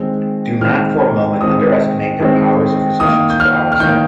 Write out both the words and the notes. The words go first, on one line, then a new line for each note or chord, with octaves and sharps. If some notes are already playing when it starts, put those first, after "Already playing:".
Do not for a moment underestimate their powers of resistance to our assault.
Already playing: D#3 G#3 C4
D#3 G#3 C4 F6
D#3 G#3 C4 D#6
D#3 G#3 C4
D#3 A#3 D#6
G6
F6
F6
D#3 A#3 G6